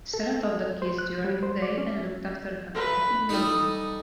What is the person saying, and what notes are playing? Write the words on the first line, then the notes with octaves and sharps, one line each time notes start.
Sarah taught kids during the day and looked after her cats in the evening.
A4
C5
F#6
G3
C5
D5
C#4
B4
G3 D#4 A4 D#6